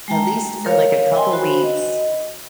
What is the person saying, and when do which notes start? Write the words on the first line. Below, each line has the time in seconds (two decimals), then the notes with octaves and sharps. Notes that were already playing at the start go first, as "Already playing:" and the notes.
at least for like a couple weeks,
0.08 G#3 G5 A5 A#5
0.65 A#4 C#5 F5
1.14 D#5 G5 G#5 C6
1.30 F#4 C5 B5
1.63 D#5